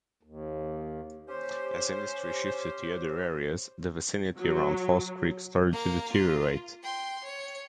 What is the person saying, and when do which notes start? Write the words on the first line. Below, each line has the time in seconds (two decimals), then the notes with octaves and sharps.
As industry shifted to other areas, the vicinity around False Creek started to deteriorate.
0.23 D#2
1.28 C#4 G4 C5
4.38 F#3
5.72 A#3 F5
6.12 F4
6.83 G5 C6
7.24 C#5